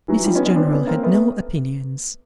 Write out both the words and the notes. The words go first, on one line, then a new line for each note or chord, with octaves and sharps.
Mrs General had no opinions.
E3 F#3
F3 G3
B3 C#4
B3 C#4
C4 D4
B3 C#4
A#3 C4
A3 B3